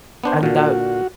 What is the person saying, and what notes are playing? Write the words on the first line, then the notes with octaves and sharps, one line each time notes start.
And that
B3 D4 C5
A#2 D3 F#4